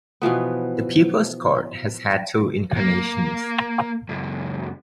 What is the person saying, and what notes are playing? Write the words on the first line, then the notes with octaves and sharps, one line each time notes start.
"The People's Court" has had two incarnations.
B2 E3 F3 B3
A#3
C#2 F#2